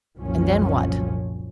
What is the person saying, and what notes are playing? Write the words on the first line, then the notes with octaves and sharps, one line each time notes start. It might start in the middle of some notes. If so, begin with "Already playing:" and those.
"And then what?"
F#1 C2 F#2 A#2 F3 C#4